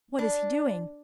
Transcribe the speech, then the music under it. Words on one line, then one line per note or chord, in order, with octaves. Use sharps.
What is he doing?
D4